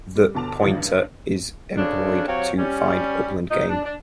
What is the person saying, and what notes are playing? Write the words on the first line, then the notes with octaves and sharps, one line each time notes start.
The pointer is employed to find upland game.
G3
G1 B2 A5 D6 F7
A1 D3 D#3 F3
G2
D2 C#3 D4
F#3 C4 G4 C#5 F5
G3 C#4
A#2 D#4
D4
D4